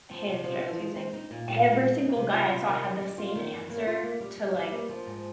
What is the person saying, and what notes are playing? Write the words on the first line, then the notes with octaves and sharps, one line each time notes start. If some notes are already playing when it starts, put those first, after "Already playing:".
Hinge- I was using,- every single guy I saw had the same answer to, like
F3
C3
F3
F3
G#3
C4
D#4
A#2
A#2
A#2
G#3
D#4
C3
F4
C3
D#3
G3
G3
F4
D#3
G2
A#3
F4
A#3
G3
G3
G3
A#3
F3
G#2